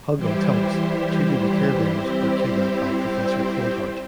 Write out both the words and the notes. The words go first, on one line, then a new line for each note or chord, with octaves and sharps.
Hug and Tugs, two baby Care Bears are kidnapped by Professor Coldheart.
E3 G3 E4 G4 C5
G3 C4 E4 G4 C5